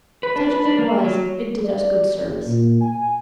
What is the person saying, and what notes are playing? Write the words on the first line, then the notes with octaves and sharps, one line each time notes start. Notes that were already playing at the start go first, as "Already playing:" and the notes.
Such as it was, it did us good service.
B4
D4
B4
D4
A#3
F#3
D5
F#1
A#2
G#5